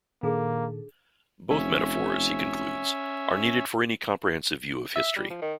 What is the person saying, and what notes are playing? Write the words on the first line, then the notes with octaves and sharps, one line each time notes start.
Both metaphors, he concludes, are needed for any comprehensive view of history.
A#2 D#3 A#3 D4 G#4 A4
F1 C#4 E5
E5
G3
F3
D#3